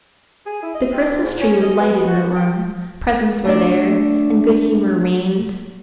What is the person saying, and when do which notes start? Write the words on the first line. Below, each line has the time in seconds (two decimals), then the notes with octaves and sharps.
The Christmas-tree was lighted in the room; presents were there, and good-humor reigned.
0.46 G#4
0.63 E4
0.75 D#5
0.93 C4
1.11 D2
1.23 G#2
1.41 C#4
1.62 D#5
1.79 B3
2.07 F#4
2.23 C2
2.36 G5
3.45 A3 D4 D5